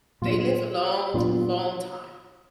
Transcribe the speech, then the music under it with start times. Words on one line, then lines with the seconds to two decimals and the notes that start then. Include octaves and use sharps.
They live a long, long time.
0.22 A#2 F#3 B3 D4 F4
1.14 A#2 F#3 B3 D4 F4